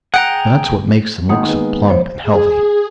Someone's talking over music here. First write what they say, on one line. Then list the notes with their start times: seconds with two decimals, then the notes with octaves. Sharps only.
That's what makes them look so plump and healthy.
0.14 G#4 F#5 G5 A#5
1.29 G#1 A#3 F#5 D#6
1.44 D#3 G#3 B3
1.88 F3 C5 C#5
2.23 G#4